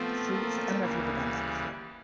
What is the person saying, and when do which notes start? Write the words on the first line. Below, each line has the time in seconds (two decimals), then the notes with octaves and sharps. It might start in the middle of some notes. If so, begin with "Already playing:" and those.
fruits li I don't know if you've ever done that before.
Already playing: F3 A3 B3 C4
0.35 A#3
0.79 D2 C#3 E3 G3